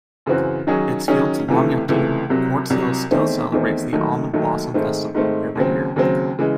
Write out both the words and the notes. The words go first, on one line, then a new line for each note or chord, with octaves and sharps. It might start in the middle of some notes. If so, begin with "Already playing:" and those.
Its fields long empty, Quartz Hill still celebrates the Almond Blossom Festival every year.
F#2 C#3 E3 C4 F#4
D#3 F#3 C#4 G#4
D#3 F#3 C#4 G#4
C#2 C3 E3 A3
C#2 C3 E3 A3
C2 C3 F#3
C2 C3 F#3
E2 D#3 A3 C4
E2 D#3 A3 C4
D#2 D#3 F#3 A3
D#2 D#3 F#3 A3
G#2 D#3 A3 C4
G#2 D#3 A3 C4
D#2 C#3 F#3 C4
D#2 C#3 F#3 C4
C#3 E3 G#3